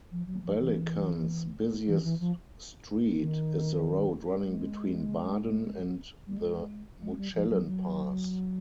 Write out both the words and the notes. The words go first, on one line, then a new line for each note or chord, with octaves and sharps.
Bellikon's busiest street is the road running between Baden and the Mutschellen pass.
F3
F#3
F3
E3
E3
E3
F3
D#3
G#3
G3
G#3
G#3
G3
F3
F#3
F#3